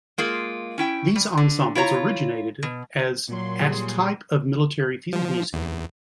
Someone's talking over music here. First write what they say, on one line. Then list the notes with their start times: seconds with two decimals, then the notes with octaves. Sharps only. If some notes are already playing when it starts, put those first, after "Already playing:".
These ensembles originated as at type of military field music.
0.18 G#3 A#3 F4 G#4
0.78 C#4 E4 G5
1.16 G3
1.37 D3
1.75 E4 F4 C#5 A#5
2.63 B2
3.28 A#2 F#3 C6
3.60 G3 G#4
5.13 F3
5.53 E2